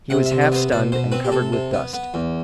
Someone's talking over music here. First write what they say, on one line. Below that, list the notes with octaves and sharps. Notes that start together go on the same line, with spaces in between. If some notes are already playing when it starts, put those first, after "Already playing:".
He was half stunned and covered with dust.
C3 F#5
E5
C3
D5
B3 C5
B2 D5
B2 C5
C4 B4
G4
C3 A4
C3
B3
B3
E2